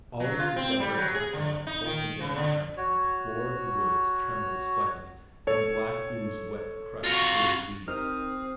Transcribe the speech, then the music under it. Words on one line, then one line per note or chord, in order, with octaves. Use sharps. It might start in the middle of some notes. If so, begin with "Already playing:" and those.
Always, as Leverett crept on, pulling the dead behind him, the floor of the woods trembled slightly, and a black ooze wet the crust of withered leaves.
F#3
F4
C4
G3
F#3
G#4
D3
D#4
D#3
C#3
D3
F#4 C#5
A4 C#5
F4 F#4
C4 D#4 G4 A#4 D#6 F6